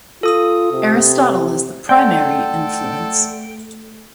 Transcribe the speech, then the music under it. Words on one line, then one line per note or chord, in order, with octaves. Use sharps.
Aristotle is the primary influence.
F4 A4 D#6
C3
A3 A4 D5 F#5 G5 C6